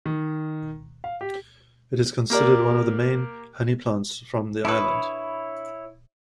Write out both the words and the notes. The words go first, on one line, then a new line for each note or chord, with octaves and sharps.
It is considered one of the main honey plants from the island.
D#3
F5
G4
A#3 G4 A#4 D5
D4 E4 B4 C#5 D#6